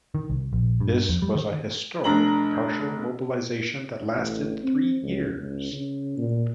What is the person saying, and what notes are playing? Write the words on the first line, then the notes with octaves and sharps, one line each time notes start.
This was a historic partial mobilization that lasted three years.
D#3
C2
A#1
G2
F2
G3
D#3
F1 D4 A#5 F#7
A1
C4
C#2
C#2
C#3
A#2